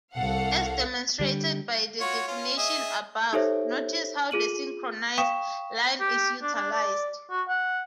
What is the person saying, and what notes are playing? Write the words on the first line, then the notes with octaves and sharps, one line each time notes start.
As demonstrated by the definition above, notice how the "synchronized" line is utilized.
C2 A4 F5 F#5
D3 G3
F4 F#4 C#5
C#4 F4
G#4 D#5 E5
D#4 G4 A4 C5 C#5 E5
F4 G#4 D#7 F#7
F5 G5 C#6 D#6 B6 E7
G4
D4
D4
D5
F#4
F#5